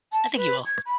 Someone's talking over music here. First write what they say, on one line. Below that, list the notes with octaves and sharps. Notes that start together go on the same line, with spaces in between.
I think you will.
A5
B4
G#6
B5